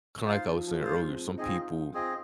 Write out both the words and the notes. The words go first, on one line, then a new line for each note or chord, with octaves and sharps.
kinda like I was saying earlier, some people
D#4 F4 C5 F5
F3
F3
G#3 F4 C5 F5
C4
C4 D#4 G#4 D#5
F4
D#4
C4 F4 G#4 D#5